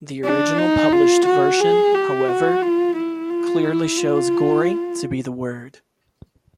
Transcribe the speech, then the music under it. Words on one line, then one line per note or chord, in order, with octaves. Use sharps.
The original published version, however, clearly shows "gory" to be the word.
D4
D#4
F4
F#4
G#4
G4
F#4
F4
E4
F4
E4
F4